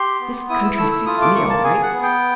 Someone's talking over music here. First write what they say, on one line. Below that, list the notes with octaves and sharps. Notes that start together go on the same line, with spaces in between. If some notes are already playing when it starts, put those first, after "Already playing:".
This country suits me all right.
Already playing: G4 C6
B3
E4 D#6
E6
A3 E6
E6
F4 D#6
D6
A#3 C#6
A5
G#4 G#5
F#5
B3
G5